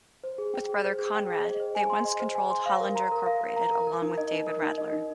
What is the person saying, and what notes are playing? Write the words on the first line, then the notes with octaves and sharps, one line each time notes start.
With brother Conrad, they once controlled Hollinger Incorporated along with David Radler.
C5
G#4
G5
G#4
C5
G#4
G5
G#4
D#5
C5
G#5
C6
D#5
C5
G#5
C6
F5
A#4
A#5
A#4
F5
A#4
A#5
A#4
A#4
D#4
D#5
D#4
A#4
D#4
D#5
D#4